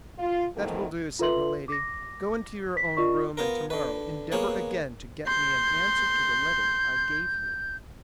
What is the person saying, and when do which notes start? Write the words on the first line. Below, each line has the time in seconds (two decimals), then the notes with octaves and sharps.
"That will do," said Milady; "go into your own room, and tomorrow endeavor again to get me an answer to the letter I gave you."
0.19 F4
0.56 F2 G#2 D#3 E3 A3 A#3
1.19 F4 A4 B4 E5 C6 F#7
1.68 D6 A#6
2.77 B6
2.97 F4 A#4 D5 D#5 C#6
3.37 B3 F4 A#4
3.70 D3 B4
4.32 A#3 B3 G#4 C#5 F#5
5.26 C6 G6